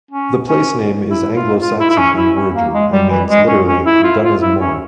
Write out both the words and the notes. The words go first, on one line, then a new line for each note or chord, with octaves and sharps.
The place name is Anglo Saxon in origin, and means literally "Dunna's moor".
C#4
C#4
E4
F4
F4
E4
E4
C#4
E4
C#4
A#3
G#3
G3
E3
G#3
C#4
C#4
E4
F4
F4
E4
C#4